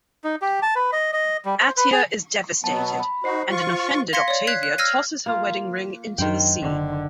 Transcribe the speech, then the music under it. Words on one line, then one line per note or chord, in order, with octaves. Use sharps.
Atia is devastated, and an offended Octavia tosses her wedding ring into the sea.
D#4
G4
A5
B4
D#5
D#5
G3
C5
B4
G#4
B2 F#3 B3 A5
B5
D#4 F#4 C5 C7
F4 C#6
F5 C6 G#6 A#6 B6 C#7
C#5 D5
F#6 G#6 B6 C7
F#6
E6 F6 G#6 A#6 C7 D#7
A#3 F4
F#2 D#3 F#3 D4 C5 G5
F#1 D3